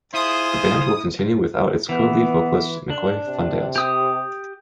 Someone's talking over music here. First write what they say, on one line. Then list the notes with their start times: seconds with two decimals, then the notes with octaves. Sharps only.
The band will continue without it's co-lead vocalist Mcoy Fundales.
0.14 E4 F4 G#4 C5 D#6
1.89 E3 B3
2.90 D4
3.26 C3
3.76 G4 D#6